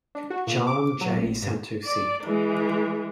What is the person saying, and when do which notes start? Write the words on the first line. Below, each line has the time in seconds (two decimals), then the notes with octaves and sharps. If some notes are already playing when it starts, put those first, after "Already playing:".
John J. Santucci.
0.15 D4
0.30 F#4
0.47 A#2
0.67 D6
1.01 F#3
1.16 A1
1.42 G2
1.85 D5
2.24 E3 G#3